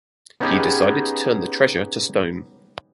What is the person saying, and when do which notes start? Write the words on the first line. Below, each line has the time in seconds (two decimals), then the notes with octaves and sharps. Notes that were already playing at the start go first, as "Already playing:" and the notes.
He decided to turn the treasure to stone.
0.40 B3 C#4 D#4 G4 G#4 B4